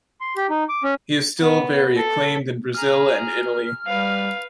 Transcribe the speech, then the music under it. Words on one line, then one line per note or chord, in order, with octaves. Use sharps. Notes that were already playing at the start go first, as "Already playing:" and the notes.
He is still very acclaimed in Brazil and Italy.
C6
G4
D#4
D6
C#4
B3
A4
G#4 A#5 F6
G3 B4 F5